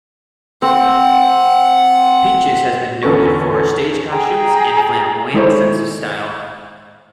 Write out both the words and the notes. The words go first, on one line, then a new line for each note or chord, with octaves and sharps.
Peaches has been noted for her stage costumes and flamboyant sense of style.
C4 F#5
E2 D3 C#4 A4 B4 C#6
G#4 G5 A#5
D#3 G#3 E4 A4 C5 C#5